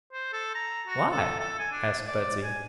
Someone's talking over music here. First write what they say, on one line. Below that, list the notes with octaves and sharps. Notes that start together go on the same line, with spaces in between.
"Why?" asked Betsy.
C5
A4
A#5
F#4
A4
A4
G#5
D4
D5
G#5